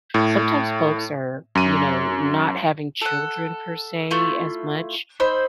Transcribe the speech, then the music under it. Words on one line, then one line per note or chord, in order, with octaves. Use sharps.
sometimes folks are, you know, not having children per se as much,
A2
F#2 D#7
A4 F#5
A3 E4 F4
D#4 C5 B5 E6